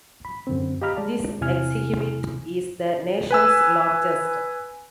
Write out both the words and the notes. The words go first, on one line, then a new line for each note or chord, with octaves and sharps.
This exhibit is the nation's largest.
B5
F#2 D3 C4
G4 D#5 F5 A#5 B5 F6
G#3 D5 A5
E2 C3 E4 G#5 F6
B4 G#5 E6